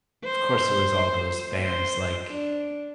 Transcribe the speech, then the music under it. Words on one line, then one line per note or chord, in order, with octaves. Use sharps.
of course, there was all those bands like
C5
C5
D4